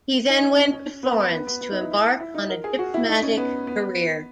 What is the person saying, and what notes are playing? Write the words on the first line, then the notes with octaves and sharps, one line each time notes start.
He then went to Florence to embark on a diplomatic career.
D#4
C#4
C#4
C#4
B3
B3
B3
B3
D#4
E4
E4
E4
D#4
A#4
G#4
F#4
E4
D#4
C#4
B3
B3